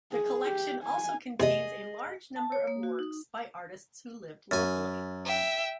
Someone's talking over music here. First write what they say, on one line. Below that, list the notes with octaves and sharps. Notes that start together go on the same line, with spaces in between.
The collection also contains a large number of works by artists who lived locally.
G#4
G4
G#5
E2 C3 G#4 D#5
A5
C#5
A#3
F#4
D#4
F#2 G#5
E5 G5